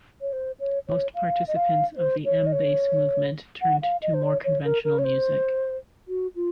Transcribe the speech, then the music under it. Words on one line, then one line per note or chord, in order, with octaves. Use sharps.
Most participants of the M-Base movement turned to more conventional music.
C#5
C5
C#5
C#5
F5
D#5
F5
C5
C#5
D#5
C#5
F#5
F5
D#5
C5
C#5
C#5
A#4
A#4
C#5
C5
F#4
F4